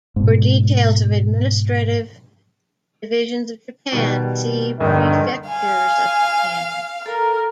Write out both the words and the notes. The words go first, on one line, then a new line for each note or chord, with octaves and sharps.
For details of administrative divisions of Japan, see Prefectures of Japan.
G#2 B2
B2 D#3 G3
A#1 G2 D3 D#3
F5 G#5
A4 A#4 A#5